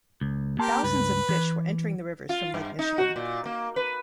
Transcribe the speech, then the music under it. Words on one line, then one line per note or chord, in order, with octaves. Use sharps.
Thousands of fish were entering the rivers from Lake Michigan.
C#2
A#3 G4 A#4 A5 C6
C#2 G2 B4
E3
F4
G2
D#4
F#4
A#2
A#3
B4